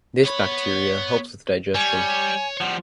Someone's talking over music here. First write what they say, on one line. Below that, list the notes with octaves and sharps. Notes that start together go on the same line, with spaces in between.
This bacteria helps with digestion.
B3 C#5 B5
G3 C#5 G#5
F3 G3 F#5